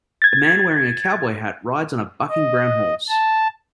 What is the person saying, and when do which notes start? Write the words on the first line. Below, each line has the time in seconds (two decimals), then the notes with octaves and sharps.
A man wearing a cowboy hat rides on a bucking brown horse.
0.22 G#6 A6
2.29 D#5
3.09 A5